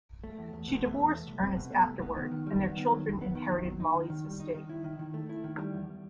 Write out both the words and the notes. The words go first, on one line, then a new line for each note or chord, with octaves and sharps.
She divorced Ernest afterward, and their children inherited Mollie's estate.
A3
E2
E2
B2
A3
E2
A3
C2
C4
B2
A3
C2
B3
D#3
D#3
G3
B3
D#3
F#3
D#2
B3
D#3
F#3
D#2
D#4
D#3
D#3
G3
D#4
D#3
E4
D#3
D#3
A3
E4
D#3
G3
E2